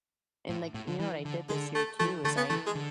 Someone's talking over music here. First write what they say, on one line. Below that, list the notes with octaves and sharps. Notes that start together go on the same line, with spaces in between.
And, like, you know what I did this year too is I
A2
A2
D3
E3
D3
D3 G#3
A3
E3 A3
D3 A3
B3
E3 A3
G#3
D3